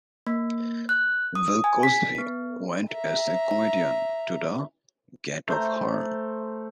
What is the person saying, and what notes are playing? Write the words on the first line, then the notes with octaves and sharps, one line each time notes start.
Bill Cosby went as a comedian to the "Gate of Horn".
A#3
F#6
D#6
G#5
B6
B3
E5 A#5
A3 C5 A#5